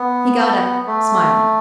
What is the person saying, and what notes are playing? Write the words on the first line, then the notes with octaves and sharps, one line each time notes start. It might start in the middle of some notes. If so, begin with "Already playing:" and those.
He got up, smiling.
Already playing: B3
A3